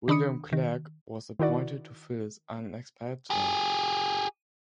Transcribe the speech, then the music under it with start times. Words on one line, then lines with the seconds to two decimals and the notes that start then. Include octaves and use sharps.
William Clarke was appointed to fill his unexpired term.
0.08 D#3 D4 B5 D#6 C#7
0.53 D#3
1.39 D#3 E4 F#4 D5
3.30 G4 G#4